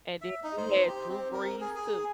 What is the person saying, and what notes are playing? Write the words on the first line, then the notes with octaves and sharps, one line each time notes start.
and then we had Drew Brees, too.
E5
D#4
C5
G4
C4
A#4
G#4
G#4